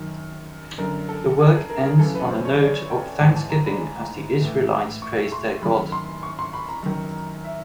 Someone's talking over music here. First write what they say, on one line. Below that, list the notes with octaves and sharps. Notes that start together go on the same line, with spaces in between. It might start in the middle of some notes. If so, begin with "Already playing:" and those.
The work ends on a note of thanksgiving as the Israelites praise their God.
Already playing: F#2 D#3
F#2 D3 A#4
A4
G#4
G#4
A#4
A#4
F#2 C#3 E3 A4
B4
C5
C#5
D5
G5
G#2 E3 G#5
A5
A#5
B5
A2 E3
C#6
C6
F#2 D#3 B5
C6
C#6
C6
B5
A#5
F#2 D#3
E5